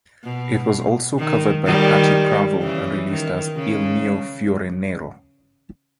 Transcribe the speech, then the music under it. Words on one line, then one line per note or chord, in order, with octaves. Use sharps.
It was also covered by Patty Pravo and released as "Il Mio Fiore Nero".
B2
D#3
D#3 G3
C#3 E3
D#3
C#3